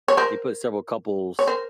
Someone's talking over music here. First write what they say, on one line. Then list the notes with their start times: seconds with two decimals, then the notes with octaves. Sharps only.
they put several couples
0.08 C#5
0.17 A#4 C5
1.39 C#5
1.47 A#4 C5